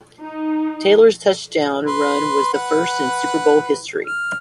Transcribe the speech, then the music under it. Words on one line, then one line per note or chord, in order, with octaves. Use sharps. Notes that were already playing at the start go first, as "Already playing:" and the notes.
Taylor's touchdown run was the first in Super Bowl history.
D#4
B4 C6
B4 F#5
F6